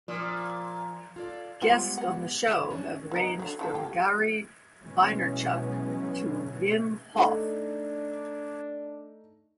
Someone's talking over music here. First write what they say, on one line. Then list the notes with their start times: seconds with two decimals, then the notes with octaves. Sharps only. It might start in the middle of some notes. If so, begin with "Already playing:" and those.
Guest on the show have ranged from Gary Vaynerchuk to Wim Hof.
0.08 A#2 F3
1.16 F4 A4 D5
1.62 F3 G3 G#3 B3 F4 F#5
1.98 F#5
2.48 E3
2.70 C#4 D4
3.12 A#3 B3 D#4
3.39 D3 F#3
3.59 E3 F4 A4
3.74 F4 G4
4.81 B2 E3 F#3 G#3 B3 C#4
7.15 A3 D4 D#4